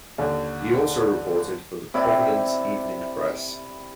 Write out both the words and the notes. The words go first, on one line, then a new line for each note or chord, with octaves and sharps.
He also reported for the "Providence Evening Press".
D#2 D3
C3 E4 D5